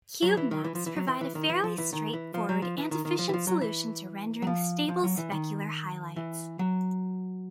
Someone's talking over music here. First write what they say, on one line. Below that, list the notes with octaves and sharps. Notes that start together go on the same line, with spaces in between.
Cube maps provide a fairly straightforward and efficient solution to rendering stable specular highlights.
F#3
E3
D#3
E3
F3
E3
F#3
E3
E3
D#3
E3
F3
E3
D#3
E3
F3
F#3
F3
E3
D#3
D#3
F3
E3
F3
F#3
E3
F#3
F3
F3
F#3
E3
D#3
E3
F#3